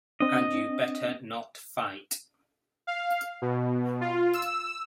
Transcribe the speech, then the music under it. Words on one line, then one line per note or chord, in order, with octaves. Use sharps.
And you better not fight.
C4 D4 D#5
F5
B2
F4
E6